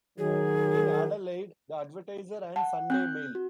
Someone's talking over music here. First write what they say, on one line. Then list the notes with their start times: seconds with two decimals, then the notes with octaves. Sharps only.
In Adelaide, "The Advertiser" and "Sunday Mail".
0.18 D#3 F#3 G#4
2.56 F#5 A5
2.90 C4 F#6 G6
3.35 F#4